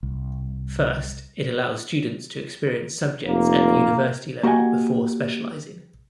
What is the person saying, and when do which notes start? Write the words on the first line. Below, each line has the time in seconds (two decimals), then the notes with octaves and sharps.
First, it allows students to experience subjects at university level before specialising.
0.03 C2
3.27 F1 A#3
4.43 A#3 F#4 G4 D#5 F#5 G#5